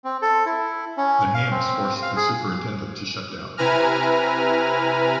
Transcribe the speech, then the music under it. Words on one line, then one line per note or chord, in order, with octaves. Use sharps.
The hands forced the superintendent to shut down.
C4
A4
E4
C#4
F5
C4
F5
G#4
C3 E4 B4 G#5 A#5 F6